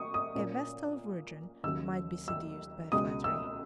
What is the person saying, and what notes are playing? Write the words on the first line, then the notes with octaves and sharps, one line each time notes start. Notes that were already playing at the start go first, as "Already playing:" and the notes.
A vestal virgin might be seduced by flattery.
Already playing: C#6 D#6
D#6
A#2 A#3 C#4
D#2 C#3 F#3 E6
E6
C#2 B2 G#3 D#6
E6